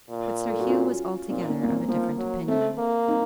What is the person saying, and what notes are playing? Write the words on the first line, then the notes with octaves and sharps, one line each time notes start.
But Sir Hugh was altogether of a different opinion.
A#2
A4
F#4
C#4 F4
A#2 C4 D#4
D#4
A#3 C#4
A#2 A#3
C4
F3 A#3
F#3
A3 C4
A#3
C4 D#4